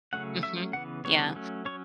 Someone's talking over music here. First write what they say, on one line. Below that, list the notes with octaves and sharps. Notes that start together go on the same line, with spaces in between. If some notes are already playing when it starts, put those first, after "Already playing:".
mhm, yeah.
C#3 F#3 A3 C#4 F#5
F#3 A3 C#4 E5
C#3 E3 B3 F#5
C#3 E3 G3 B3 C#5
F#3 A3 C#4
F#3 C#4 C#5